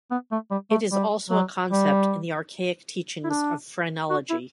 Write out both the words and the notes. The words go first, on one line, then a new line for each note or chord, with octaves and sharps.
It is also a concept in the archaic teachings of phrenology.
B3
A3
G3
A3
G3
F#3
G3
E4
D4
F#4
E4